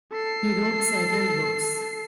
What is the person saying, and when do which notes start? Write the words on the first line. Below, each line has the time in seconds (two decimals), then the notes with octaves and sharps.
He wrote several books.
0.12 A4 C7